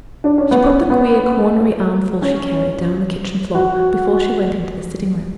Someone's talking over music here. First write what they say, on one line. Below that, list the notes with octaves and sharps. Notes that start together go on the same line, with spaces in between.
She put the queer cornery armful she carried down on the kitchen floor before she went into the sitting room.
D4
C#4
B3
C#4
B3
C#4
F#4